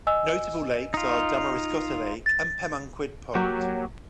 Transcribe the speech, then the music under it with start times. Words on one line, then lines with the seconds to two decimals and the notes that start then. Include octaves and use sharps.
Notable lakes are Damariscotta Lake and Pemaquid Pond.
0.07 D#5 G#5 E6
0.94 D#4 F4
2.26 A6
3.35 F#3 A#3 F#4 G4